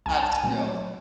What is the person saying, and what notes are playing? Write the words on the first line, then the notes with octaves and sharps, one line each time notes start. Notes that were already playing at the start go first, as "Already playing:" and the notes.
That's true.
C2 G#5
A5
G#5
A#2 F#3 A3 C4